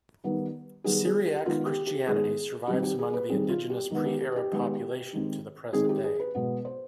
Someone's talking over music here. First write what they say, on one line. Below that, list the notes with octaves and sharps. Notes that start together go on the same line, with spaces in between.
Syriac Christianity survives among the indigenous pre-Arab population to the present day.
D#3 G3 B3
D#3 G3 B3 G#4
G#4
G4
D#3 G#3 B3 F4
G4
G4
D#3 G#3 B3 G#4
D#3 G3 C4 G4
G4
G#4
B4
D#3 G3 C4 G#4
F4
G4
D#3 G#3 B3
G4
G4
G4
D#3 G#3 B3
D#3 G#3 C4
D#3 G#3 C4 G#4
G4
G#4
B4
B2 G#3 B3
C5